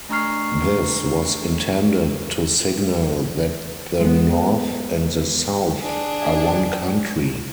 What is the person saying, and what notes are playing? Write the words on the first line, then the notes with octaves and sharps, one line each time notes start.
This was intended to signal that the North and the South are one country.
A3 D4 A#5 C#6 F6 C7
G#3 B3
D4 G#4